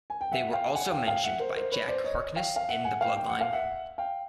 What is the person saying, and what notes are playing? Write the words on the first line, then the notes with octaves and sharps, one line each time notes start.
They were also mentioned by Jack Harkness in The Blood Line.
G#5
G5
E5 F#5
F5 G5
F#5 G#5
F5 G5
F5 G5
E5 F#5
A#4 C5
A#4 C5
B4 C#5
C5 D5
C#5 D#5
F5 G5
F5
E5 F#5
F#5 G#5
F5 G5
G5
F#5
F5
E5 F#5
F5 G5